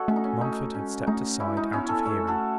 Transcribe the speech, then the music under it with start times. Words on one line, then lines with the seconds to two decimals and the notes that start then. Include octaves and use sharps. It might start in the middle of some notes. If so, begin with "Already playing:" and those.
Mumford had stepped aside, out of hearing.
Already playing: F#4 A4 C#5 D#5
0.08 A3 C#4
0.16 D#4
0.24 C#4
0.41 D#4
0.74 G#3 C#4
1.07 A3 D#4
1.40 G#3 C#4 E4
1.57 D#4
1.73 B3 C#4 E4
1.89 A4 C#5
2.05 A3 A4 C#5
2.14 G#3
2.24 A3 F#4 A4